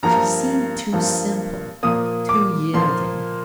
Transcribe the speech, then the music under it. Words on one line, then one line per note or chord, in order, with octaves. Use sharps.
She seemed too simple, too yielding.
G2 F3 A#3 A#5
G2 F3 A#3
A#2 F3 A#3 D#6
D6
A#2 F3 A#3 C6